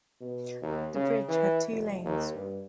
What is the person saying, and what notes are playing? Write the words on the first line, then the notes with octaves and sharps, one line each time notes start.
The bridge had two lanes.
B2
D#2
C#3
E3
F1
D#2
G2